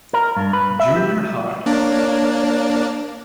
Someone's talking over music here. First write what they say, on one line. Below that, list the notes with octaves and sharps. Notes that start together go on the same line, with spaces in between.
Junior High.
A#4
G2
B4
E5
G4
A#3 D4 C#5